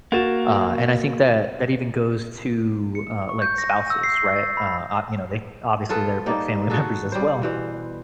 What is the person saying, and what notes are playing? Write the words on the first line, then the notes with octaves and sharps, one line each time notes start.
Uh, and I think that, that even goes to, uh, like, spouses, right? Uh, ah, you know, they obviously, they're m family members as well,
A#3 F#4 A6 E7
C#7
C#6
G6
A#6
E6
C7
A6
B5
F4 G#4 A4 B4
G3 A#3 D#4
F#4 G#4 A4
G3 C5
B2 E3 C5